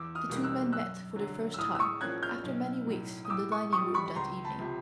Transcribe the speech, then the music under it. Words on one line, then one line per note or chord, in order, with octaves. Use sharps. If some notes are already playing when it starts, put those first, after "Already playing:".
The two men met for the first time after many weeks in the dining-room that evening.
Already playing: E2 D6 E6
D#6 F6
B2 G3 A#3 D#4
E6 F#6
F#2 E6 F#6
D3 F#3
E6
A2 D#6 F6
E6
C#6 D#6
F3 A#3 C#4 F#6 G#6
F6 G6
B1
A2 F#3
D#6
A2 D6 E6
C#6 D#6
E3 G3 C#6 D#6
B5 C#6
B5
C#2 A#5 C6
A5 B5
C3 F3